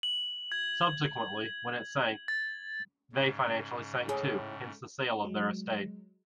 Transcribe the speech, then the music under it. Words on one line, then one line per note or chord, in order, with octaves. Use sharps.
Subsequently when it sank they financially sank too, hence the sale of their estate.
F#7
G#6
A6
G#2 C#3
A2 G#4
F#3 G#3